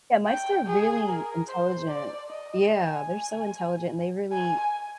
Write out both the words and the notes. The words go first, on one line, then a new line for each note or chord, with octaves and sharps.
And mice are really intelligent. Yeah, they're so intelligent, and they really
G5
G#4
A#4
C5
D5
D#5
G#5
G#5